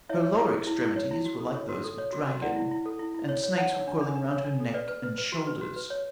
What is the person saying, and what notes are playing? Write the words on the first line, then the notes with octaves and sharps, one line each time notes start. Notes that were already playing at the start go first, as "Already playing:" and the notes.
Her lower extremities were like those of a dragon, and snakes were coiling round her neck and shoulders.
E4 C#5 E5
C#5
E4
G#4
E4
E4
C#5
E4
F#4
A4
C#5
F#4
A4
C#5
F#4
F#4
E4 D5 F#5
E4
E4
A4
E4
E4
C#5
C#5
C#5 F#5 A5
C#5
D4
D4
D4
C#5
D4
A4
B4 D5
B4
B4
B4
F#4
B4
F#4
B4
C#5